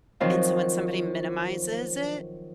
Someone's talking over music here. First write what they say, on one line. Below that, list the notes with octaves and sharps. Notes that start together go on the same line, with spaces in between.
And so, when somebody minimizes it
D#3 F3 F#3 C4 F4